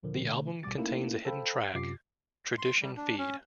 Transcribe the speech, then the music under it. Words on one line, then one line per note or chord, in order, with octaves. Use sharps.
The album contains a hidden track, "Tradition Feed".
D2 A#2 D3 F3 A#4
B2 D3 A3
A1 B2 G3 D6 A6
A3 A#3 C#4 D#4 E4 A4
A4 C5 F5 G5 B5
F#2 C3 F4 G4 D6 C7
C6
G3
D4
C#4